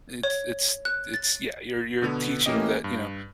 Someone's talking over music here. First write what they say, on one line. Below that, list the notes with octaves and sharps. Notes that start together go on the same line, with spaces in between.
it's it's it's yeah, you're you're teaching that, you know,
C#5
F#6
A6
B2 D3 B3
E3 A#3 C#4 G4 D#5
G2